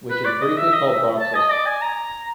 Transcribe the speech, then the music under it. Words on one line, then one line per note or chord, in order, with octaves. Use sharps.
Which is briefly called Bachsas.
B4
D5
D#5
E5
D#5
E5
A5
D#5
D5
G#5
A#5